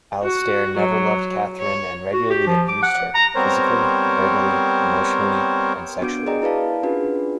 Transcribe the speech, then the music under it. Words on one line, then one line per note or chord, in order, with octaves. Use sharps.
Alistair never loved Katherine and regularly abused her-physically, verbally, emotionally, and sexually.
F#4
F#3
C#5
F#4
G4
F3
D6
F#5
A#5
G3 B3 C4 A#4 C5 C#5
B3 D4 F#4 D6 G6 D7
G#4 A#4 D5 D#5 G5 A#5
E4 B4 D5 F5 A5
C#4 D4 F4 F#4 G#4 B4